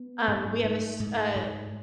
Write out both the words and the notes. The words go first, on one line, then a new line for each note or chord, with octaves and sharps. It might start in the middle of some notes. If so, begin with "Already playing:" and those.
Um, we have a s a
Already playing: B3
G#2
G#2 A3
G#2
G#2